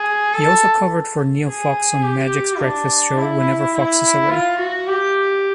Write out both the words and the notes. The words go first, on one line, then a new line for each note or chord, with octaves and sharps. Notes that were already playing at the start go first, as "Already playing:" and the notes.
He also covered for Neil Fox on Magic's breakfast show whenever Fox is away.
Already playing: G#4
A4
G#4
G4
D4
E4
E4
F4
F#4
G4